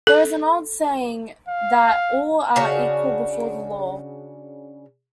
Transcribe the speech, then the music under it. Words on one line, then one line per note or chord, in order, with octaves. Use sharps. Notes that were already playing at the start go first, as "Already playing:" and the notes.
There is an old saying that 'All are equal before the law.
A4
F5
C#3 D4 F#4 C#5